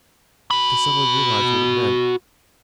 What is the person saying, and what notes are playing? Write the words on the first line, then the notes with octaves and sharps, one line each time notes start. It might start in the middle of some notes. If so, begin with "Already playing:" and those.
They suddenly realized what it meant.
F#4 B5